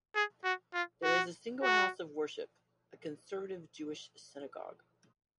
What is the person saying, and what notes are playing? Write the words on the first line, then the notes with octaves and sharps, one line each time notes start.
There is a single house of worship, a Conservative Jewish synagogue.
G#4
F#4
F4
F#4
F#4